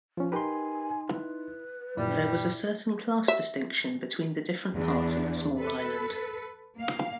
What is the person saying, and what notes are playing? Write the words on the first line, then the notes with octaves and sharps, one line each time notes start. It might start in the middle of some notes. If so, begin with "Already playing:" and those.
There was a certain class distinction between the different parts of the small island.
F3 C#4 F4
D#4 G4 A#4 B4 G#5 C6
E4 B4
F#2 A#2 G3 E4 D5
E5
E2 D4
A4 B4
A#3 F5